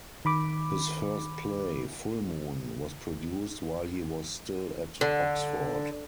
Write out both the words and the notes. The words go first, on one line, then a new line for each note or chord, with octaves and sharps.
His first play, "Full Moon", was produced while he was still at Oxford.
D#3 B5 D6
D3